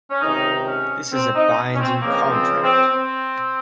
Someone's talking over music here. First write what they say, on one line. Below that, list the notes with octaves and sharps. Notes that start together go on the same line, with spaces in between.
This is a binding contract.
C#4
C#2 C3 D#3 D#4
C#4
C4
D#4
C#4
C4
C#2 C#3 F3 A#3
C4
C4
C4